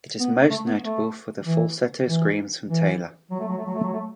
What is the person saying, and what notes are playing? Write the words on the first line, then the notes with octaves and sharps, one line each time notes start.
It is most notable for the falsetto screams from Taylor.
B3
A3
B3
A3
E3
E3
E3
F#3
A3
F#3
A3
F#3
A3
F#3
A3